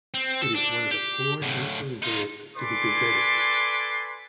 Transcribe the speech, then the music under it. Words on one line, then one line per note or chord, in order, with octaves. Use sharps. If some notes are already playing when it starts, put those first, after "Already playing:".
It is one of the four nature reserves to be gazetted.
C4
A4
D4
G4
D2 A2
D#4 F4
A4 B4 D5 G#5 C6 D6